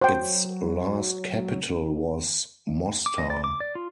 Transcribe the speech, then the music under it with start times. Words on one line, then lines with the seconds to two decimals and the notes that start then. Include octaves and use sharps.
Its last capital was Mostar.
0.01 F#3 C5 G5
3.06 D6
3.18 D#5
3.30 D5
3.44 D6
3.60 D5
3.75 F4